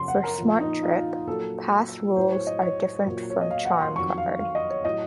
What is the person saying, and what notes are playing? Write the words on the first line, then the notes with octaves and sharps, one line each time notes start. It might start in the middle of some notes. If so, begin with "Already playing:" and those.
For SmarTrip, pass rules are different from CharmCard.
Already playing: F#2 C#3 F3 C6
F#5
A#4
A#2 F3
D#4
F4
A#2 F#3 A4
A2 F#3 C5
C#5
D#5
C#5
A#2 F#3
C#5
D#5
F5
F#5
C6
F2 D#3 F#3 C#6
F5
F5
D#5
C#5
A2 F#3 D#5